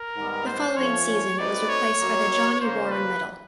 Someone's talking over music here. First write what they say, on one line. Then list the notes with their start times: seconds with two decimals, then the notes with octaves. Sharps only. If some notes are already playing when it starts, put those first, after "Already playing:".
The following season it was replaced by the Johnny Warren Medal.
Already playing: A#4
0.15 G#2 D#3 G3 B3
0.46 C5
0.76 F3 A3 C#4 C#5
1.38 A3 C4 D#4 F#4 B4 D5
1.69 C#5
1.99 F#2 D#3 F#3 A#3
2.60 C#3 F3 A#3 C#4 C5
2.91 B4